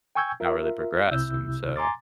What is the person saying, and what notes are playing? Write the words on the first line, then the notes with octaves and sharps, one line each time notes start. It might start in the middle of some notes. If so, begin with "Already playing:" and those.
not really progress, and so,
G5 G#5 C#6 E6 G6 G#6
F4 A#4 E5
C2 C3 E4 E6 G6
G#5 A#5 C6 D6 A6